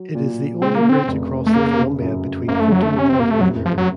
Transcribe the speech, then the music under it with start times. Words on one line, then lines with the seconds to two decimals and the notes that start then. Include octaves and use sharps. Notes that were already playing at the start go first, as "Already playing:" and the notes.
It is the only bridge across the Columbia between Portland and Hood River.
Already playing: F#3
0.15 A#2
0.62 C#3 C4
0.75 A#3
0.89 C4
1.08 F1
1.47 A3
1.54 C#3 A#3
2.02 F#2
2.48 F#1 A#3
2.60 A3
2.72 F#3
2.83 A3
2.95 C3 C#4
3.10 C4
3.20 A#3
3.31 A3
3.41 F1 F#3
3.66 F3
3.78 F#3